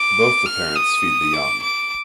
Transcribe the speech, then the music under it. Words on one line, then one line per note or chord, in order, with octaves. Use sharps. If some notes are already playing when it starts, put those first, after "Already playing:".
Both the parents feed the young.
Already playing: D6
F6
D#6
D6
D6